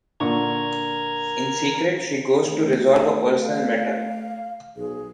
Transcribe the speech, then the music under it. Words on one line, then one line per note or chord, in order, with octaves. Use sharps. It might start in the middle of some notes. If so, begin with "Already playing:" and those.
In secret, she goes to resolve a personal matter.
A#2 D3 A#4 A#5 C#6 G#6
A3
F5
F5
B1 G#4